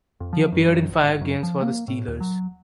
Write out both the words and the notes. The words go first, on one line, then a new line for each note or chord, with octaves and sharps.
He appeared in five games for the Steelers.
F2
F3
F#2
F#2
A#1
G#1
F#2
F3
A#3
A2
D#2
F#3